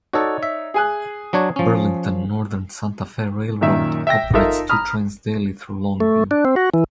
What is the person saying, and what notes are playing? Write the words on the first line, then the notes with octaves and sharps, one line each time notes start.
Burlington Northern Santa Fe Railroad operates two trains daily through Longview.
D#4 F#4 A4 C#5 D5
E5
G#4 G#5 F#6
F#3 D4 C#5
F3 C#4
F#2 A#2 D#3 E5
E5 G5 A#6
D#4 F4 A4 A#4 E5
A#5 B5 D#6 F6
A3
D4
C4
F#4
E3